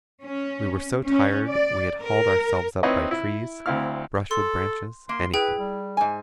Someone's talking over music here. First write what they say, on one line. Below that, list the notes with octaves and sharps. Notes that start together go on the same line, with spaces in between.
We were so tired we had hauled ourselves up by trees, brushwood branches, anything.
C#4
C#4
D5
A#4
C4 D#4 E4 B4 C#5 D#5
E4
D2 C4 E4 F5 F6
A4 C6
A#3 C6
E4 G#4 B4 G5
G3
G#2 G#5